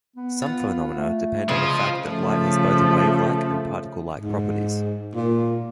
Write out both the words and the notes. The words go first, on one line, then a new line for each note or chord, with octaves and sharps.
Some phenomena depend on the fact that light has both wave-like and particle-like properties.
B3
F4 F#5
A3
C#3 F3 G#3 F4 B4
C#3 F3 A3
G#2
A#2